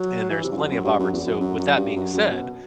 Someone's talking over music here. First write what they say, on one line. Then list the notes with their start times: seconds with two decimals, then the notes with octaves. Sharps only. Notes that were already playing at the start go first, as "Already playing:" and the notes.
And there's plenty of opport so, with that being said,
Already playing: F#3
0.30 E3
0.44 C3
0.52 G2
0.57 F#2
0.71 F#2
0.84 G2
0.99 F#2
1.13 E2
1.26 F#2
1.40 F#2
1.59 F#2
1.77 G2
1.96 F#2
2.14 F#2
2.32 B2